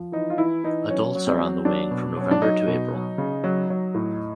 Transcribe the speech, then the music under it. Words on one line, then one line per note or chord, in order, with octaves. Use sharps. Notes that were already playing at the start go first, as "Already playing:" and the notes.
Adults are on the wing from November to April.
Already playing: F3
E3 D#4
F4
E3 E4
E3 D#4
F#3 C#4
F#3
C4
F#3
F#3 D4
B2
F#3 C#4
D4
F#3 D#4
B2
F#3
C#3
F#3
F#3
A2